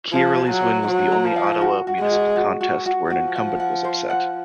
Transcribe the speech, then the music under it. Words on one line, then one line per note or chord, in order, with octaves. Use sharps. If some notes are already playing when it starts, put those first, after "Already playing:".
Chiarelli's win was the only Ottawa municipal contest where an incumbent was upset.
F3 G#4
G#4
F#3
C5
F#3 C5
A#5
F3
F5
F#4
F#4
G#3
F#4
F#4
F#4
F#4
F3 F#4
F#5
F#5
C5
F#5